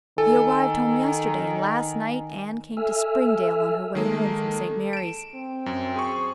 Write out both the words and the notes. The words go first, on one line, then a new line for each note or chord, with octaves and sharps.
He arrived home yesterday and last night Anne came to Springdale on her way home from St. Mary's.
D#3 A4 G#5
A4 E5 G#5 E6 F6
D#3 G#3 A#3 A4
D7 E7
C4
F#2
G#4 C6 C#6